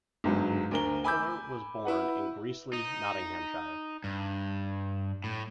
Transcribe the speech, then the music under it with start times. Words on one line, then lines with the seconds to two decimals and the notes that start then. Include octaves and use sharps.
Fuller was born in Greasley, Nottinghamshire.
0.24 G1 G#2 F#3
0.71 D2 A#4 G7
1.04 G#5 B5 D6 E6 G6
1.85 E4 B4 F#5
2.73 D#4
4.04 G2
5.24 A2